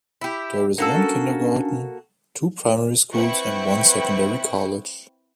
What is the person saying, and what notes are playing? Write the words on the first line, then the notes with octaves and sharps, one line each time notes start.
There is one kindergarten, two primary schools and one secondary college.
E4 G4
A#3 C#4 D4 F#4 A4
C4 E4 B4 F#5 G5 C#6